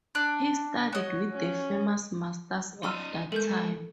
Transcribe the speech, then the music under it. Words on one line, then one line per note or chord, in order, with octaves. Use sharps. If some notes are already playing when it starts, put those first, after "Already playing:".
He studied with the famous masters of that time.
D4 F#6
F#4 C#5 D#5
C#4
D#4 D5 D#5 C6 E6 F6
G#3 A3 A4 A#4 G6